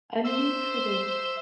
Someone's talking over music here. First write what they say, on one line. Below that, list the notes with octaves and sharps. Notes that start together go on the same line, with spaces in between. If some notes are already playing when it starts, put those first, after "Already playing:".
a new tradition.
C5 E5 E6